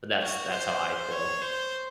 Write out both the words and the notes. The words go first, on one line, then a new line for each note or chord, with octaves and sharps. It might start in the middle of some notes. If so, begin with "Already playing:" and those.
but that's that's how I feel.
F#4
C5
C#5
C5